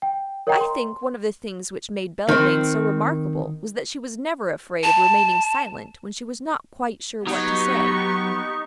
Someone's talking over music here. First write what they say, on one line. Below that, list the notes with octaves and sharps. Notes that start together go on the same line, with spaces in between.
I think one of the things which made Belvane so remarkable was that she was never afraid of remaining silent when she was not quite sure what to say.
G5
A#4 C#5 D#5 F#5 G5 A#5
C6
D#3 C4
A5
F#3 B3 D#4 G4 C#6